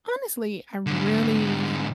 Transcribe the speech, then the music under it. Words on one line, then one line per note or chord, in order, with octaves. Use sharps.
honestly, I really
G#2 D3